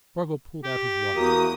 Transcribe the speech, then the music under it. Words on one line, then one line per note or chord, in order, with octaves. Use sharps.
Spargo pulled out his watch.
G4
E2 A#3 F#4 D#6